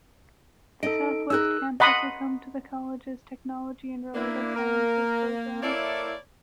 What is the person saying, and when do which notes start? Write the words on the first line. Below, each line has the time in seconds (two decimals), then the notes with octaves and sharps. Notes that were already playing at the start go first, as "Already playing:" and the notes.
The Southwest Campus is home to the college's Technology and Related Sciences program.
0.83 D#4 A4 D#5 D7
1.30 D#4 G#4 A#4 E6 F#6
1.80 D#5 F#5 B5 C6 D#6
4.15 A#3 D4 E4
4.55 A#4
5.63 A#3 E4 A4 C#5 D5